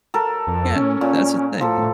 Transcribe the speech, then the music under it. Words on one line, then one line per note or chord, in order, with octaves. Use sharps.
Yeah, and that's the thing.
A4 A#4
F2
C#4
A#2
F3 A4
A2